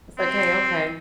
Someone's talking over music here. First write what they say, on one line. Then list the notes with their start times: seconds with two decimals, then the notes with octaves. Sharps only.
It's like, "Hey, okay."
0.18 C4